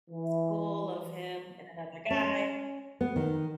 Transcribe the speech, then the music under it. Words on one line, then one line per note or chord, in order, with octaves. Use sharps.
school of him and another guy.
E3
C#4
B3
D#3